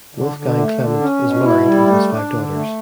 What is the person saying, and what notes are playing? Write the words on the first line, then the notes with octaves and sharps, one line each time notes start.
Wolfgang Clement is married and has five daughters.
D3
D3
A3
D3
C#4
B2
E4
G3
A3
D4
D3
A3